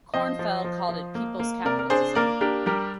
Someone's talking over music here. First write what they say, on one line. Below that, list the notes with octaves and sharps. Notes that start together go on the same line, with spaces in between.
Cornfeld called it people's capitalism.
F3 C5 D#5
F3
F3
F3
A#3
A#3
C3 A#4 D5
A#4
D4 G#4 C5
A#3 A#4 D5
D4 G4 A#4
G3 G4 A#4